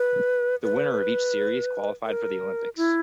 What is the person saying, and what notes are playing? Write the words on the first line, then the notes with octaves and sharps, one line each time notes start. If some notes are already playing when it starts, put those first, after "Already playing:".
The winner of each series qualified for the Olympics.
Already playing: B4
B4
A#4
E4